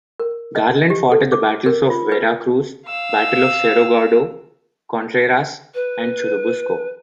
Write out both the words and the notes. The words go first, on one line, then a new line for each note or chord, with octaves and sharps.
Garland fought at the battles of Veracruz, Battle of Cerro Gordo, Contreras and Churubusco.
A#4
D#5
G4
A4
D6
A#4
F4
B4
F5 E6
B4